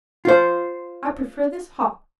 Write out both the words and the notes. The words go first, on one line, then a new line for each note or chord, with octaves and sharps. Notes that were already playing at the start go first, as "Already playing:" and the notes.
I prefer this hock.'
F4 C5